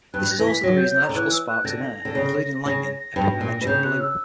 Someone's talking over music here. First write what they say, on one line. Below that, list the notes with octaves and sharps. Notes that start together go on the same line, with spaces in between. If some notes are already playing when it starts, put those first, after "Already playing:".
This is also the reason electrical sparks in air, including lightning, appear electric blue.
G2 F#6
A#6
E3
B6
F#3 A#6
G6
G6
A#5
D3
E3 F#6
E6
F#6
D3 A#6
D3
C#3
C#3 A#6
A#6
A#6
G2
A#2
B2
C#3 G6
F#6
E6